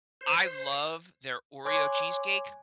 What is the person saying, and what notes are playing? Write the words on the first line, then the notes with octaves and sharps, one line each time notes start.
I love their Oreo cheesecake.
C5
C#5 G#5 C6 D6 F#6 G#6